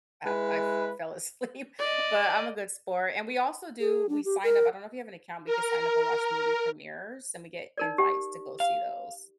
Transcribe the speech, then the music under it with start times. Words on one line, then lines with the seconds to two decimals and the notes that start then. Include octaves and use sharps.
I've I've fell asleep, but I'm a good sport, and we also do we sign up, I don't know if you have an account, we could sign up and watch movie premieres, and we get invites to go see those.
0.25 G#3 E4 B4
1.79 D5 D#5
3.80 G#4
4.09 D4
4.25 G4
4.44 A#4
5.46 A#4
7.77 D#4 A#4 D5
7.98 G4
8.60 F5